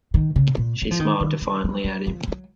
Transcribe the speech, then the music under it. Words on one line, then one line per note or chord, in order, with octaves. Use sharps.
She smiled defiantly at him.
D#3
C#3
A#2
F#3
F3
D#3
D#3
D#3
F#3
F#3
F3
F#3